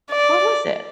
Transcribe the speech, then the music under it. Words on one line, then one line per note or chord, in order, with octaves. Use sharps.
What was it?
D5